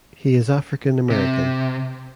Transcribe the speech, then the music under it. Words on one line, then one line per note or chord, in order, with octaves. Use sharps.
He is African American.
C3